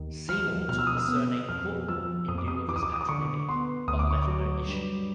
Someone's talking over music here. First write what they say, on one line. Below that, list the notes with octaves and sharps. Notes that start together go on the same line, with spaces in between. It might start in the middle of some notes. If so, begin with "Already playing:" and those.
Seymour took the surname Portman in lieu of his patronymic, but left no issue.
Already playing: D#2
F3 F6
B2 F6
E6
D#6
E6
B3
F2 F6
F3 E6
F2 D#6
D6
D#6
E3 D6
D#6
D6
D#6
D6
D3 C#6
B3 C6
D2 D#6
D6
C#6
D6
F#3
G2